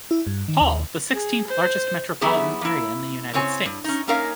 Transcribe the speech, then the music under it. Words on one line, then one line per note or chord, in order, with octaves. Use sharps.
Paul, the sixteenth largest metropolitan area in the United States.
E4
G2
D#3
D#2
G#4
C5
F#3 B3 E4 G4 G#4
A#3 E4
C#3 C4 C#5 G#5
G2
C#4 D#4
A#3 C#4 D#4 A#4 C#5 F5